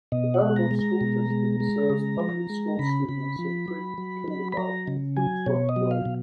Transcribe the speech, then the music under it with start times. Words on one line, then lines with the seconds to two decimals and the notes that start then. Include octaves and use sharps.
The Belleville School District serves public school students in pre-kindergarten through twelfth grade.
0.12 B2 D#5
0.34 F#5
0.41 G#3
0.56 A#5
0.71 G#3
0.79 A#5
1.01 B2
1.30 G#3
1.60 G#3
1.90 C#3
2.20 F3
2.50 G#3
2.79 C#3 B5
3.09 C#3
3.39 F3
3.68 F#3
3.98 F#3
4.28 F#3
4.52 B5
4.57 F#3 A#5
4.88 C#3
5.16 F#3 G#5
5.46 B2 C#5
5.69 D#5
5.76 F#3
5.91 F5
6.05 B2